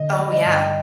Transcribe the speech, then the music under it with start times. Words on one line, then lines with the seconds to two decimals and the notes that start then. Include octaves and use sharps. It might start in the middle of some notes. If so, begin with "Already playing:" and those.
Oh, yeah.
Already playing: D3 D#5
0.13 D5
0.19 G3
0.33 D#5
0.46 G2
0.54 G5